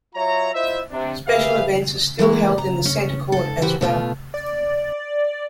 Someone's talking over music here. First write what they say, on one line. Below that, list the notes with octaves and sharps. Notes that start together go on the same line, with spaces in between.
Special events are still held in the center court as well.
F#3 F4 C#5 E5 A#5
E4 F4 C5 D#5 E5
C3 D4
G4 G#4 B4 E5 F5
E3 G#3 A#3 B3
A#5
C#4
G#2 A4
E3 F#4 G4 C5
B2 A3 F4
D5